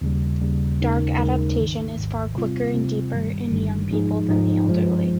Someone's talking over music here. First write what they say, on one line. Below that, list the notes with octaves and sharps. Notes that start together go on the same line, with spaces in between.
Dark adaptation is far quicker and deeper in young people than the elderly.
D#2 C#3 G3
D#2 C#3 G3
D#2 C#3 G#3 D#4 A#4
D#2 C#3 G#3 D#4 A#4
G#1 G#2 D#3
G#1 G#2 D#3
C3 G3 C4 F4
C3 G3 C4 F4
G1 G2 D#3 G3
G1 G2 D#3 G3
G#2 F3 G#3 D#4 G#4
G#2 F3 G#3 D#4 G#4
G2 F3 G#3